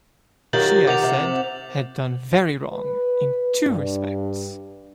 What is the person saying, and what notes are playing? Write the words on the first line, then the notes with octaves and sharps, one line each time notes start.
She I said had done very wrong in two respects.
D#3 F#3 F4 G4 G6 A6 F#7
D#3 F#5 D6 G6 F7
C3
B4
G2